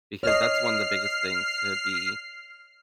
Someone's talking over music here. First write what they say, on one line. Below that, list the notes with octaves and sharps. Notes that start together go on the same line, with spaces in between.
Because that's one of the biggest things to be
C#5 D#5 F6 C7